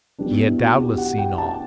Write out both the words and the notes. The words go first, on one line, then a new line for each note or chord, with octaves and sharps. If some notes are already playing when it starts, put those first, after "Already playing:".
He had doubtless seen all.
B2 G3 D4
D4
E4
F#4
G4
F#5
G5
A5